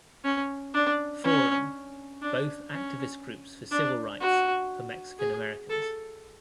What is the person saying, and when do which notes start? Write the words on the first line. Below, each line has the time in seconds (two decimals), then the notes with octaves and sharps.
Forum, both activist groups for civil rights for Mexican Americans.
0.24 C#4
0.74 D4
1.24 C#4
2.22 D4
2.72 C#4
3.71 D4
4.21 F#4
5.20 G#4
5.69 A4